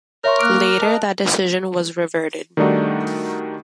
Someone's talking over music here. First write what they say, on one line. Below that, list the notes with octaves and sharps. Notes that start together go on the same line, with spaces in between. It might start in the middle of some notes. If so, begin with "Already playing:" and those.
Later that decision was reverted.
A#4 C#5 E5 C6 C#6 F6
A#3 D6 F6 F#6 D7
D#5 A5
D#3 G3 A3 D4 D#4 F#4